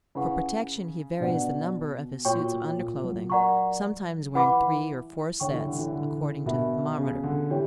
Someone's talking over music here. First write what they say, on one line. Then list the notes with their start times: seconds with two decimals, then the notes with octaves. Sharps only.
For protection he varies the number of his suits of underclothing, sometimes wearing three or four sets, according to the thermometer.
0.15 C#3 E4 B4 F#5 C#6
1.20 B2 D4 F#4 B4 D5 F#5
2.25 A#2 F#4 C#5 G5 C#6
2.77 A#2
3.04 F#3
3.30 A#4 D5 F#5 A#5 C#6
4.35 E3 B4 F#5 B5 D6
5.40 D3 C#5 G5 C#6
5.53 E3
5.66 D3
5.79 E3
5.92 D3
6.45 B2 D4 A#4 E5 B5
6.98 C#3
7.24 D3
7.50 E3 G4 C#5 G5